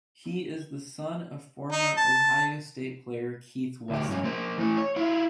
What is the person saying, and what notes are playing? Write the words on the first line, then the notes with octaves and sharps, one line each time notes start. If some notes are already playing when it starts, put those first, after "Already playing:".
He is the son of former Ohio State player Keith Wesson.
D#4
A5
D2 G4
G2 C#4
A#3 C5
E3 A3
C#5
E4 F4